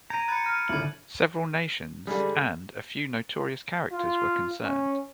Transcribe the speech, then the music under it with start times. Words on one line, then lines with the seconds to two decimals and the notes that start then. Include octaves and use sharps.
Several nations and a few notorious characters were concerned.
0.10 A#5 G6 G#6 D7 D#7
0.28 B5 F#6 G#6 A6 C#7
0.43 F6 D#7
0.69 C2 D3 G#6 F#7
2.07 D3 G3 G#3 G#4
3.92 F4
4.62 C#4